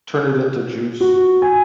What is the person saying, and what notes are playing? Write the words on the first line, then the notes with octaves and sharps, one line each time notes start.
turn it into juice,
F#4
G#5